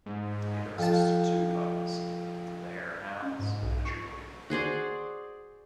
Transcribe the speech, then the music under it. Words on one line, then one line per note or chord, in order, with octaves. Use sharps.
It hosts two pubs: the Hare and Hounds, and the Jubilee.
G#2
F2 A5
C#4
G#2
B1
C#6
F#4 G#4 C5 D5